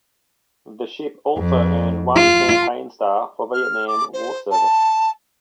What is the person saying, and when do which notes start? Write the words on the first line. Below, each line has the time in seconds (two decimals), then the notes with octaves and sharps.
The ship also earned one campaign star for Vietnam War service.
1.38 F2
2.15 F4
3.53 F6
3.87 D6
4.13 C5
4.50 A5